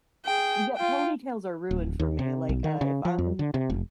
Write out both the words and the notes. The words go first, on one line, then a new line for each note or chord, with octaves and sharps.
Yeah, ponytails are ruined for me, like, uh, if I'm
G#4 G5
F4 G5
D1
D#2
C3
B1
D#3
C#3
F3
F2
D3
C3
F1